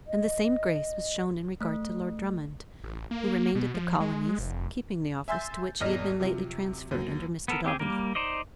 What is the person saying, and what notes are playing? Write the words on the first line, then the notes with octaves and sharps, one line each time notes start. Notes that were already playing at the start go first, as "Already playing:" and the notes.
And the same grace was shown in regard to Lord Drummond, who remained at the Colonies, keeping the office to which he had been lately transferred under Mr. Daubeny.
D#5
A3
A1
A#3
B2
F3
G#3
F1
E5 G#5 C6 E6 G6 A6
G#1 E2 D#5 F6 A#6
C3 F3 F#3
D#2 F#3
B3 A4 A#4
C4 G4 G#4
G3 A#3 A#4
D#4 C5 D5 D#5